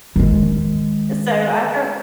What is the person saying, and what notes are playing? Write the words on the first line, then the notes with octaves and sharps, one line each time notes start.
And so, after
D#3 G#3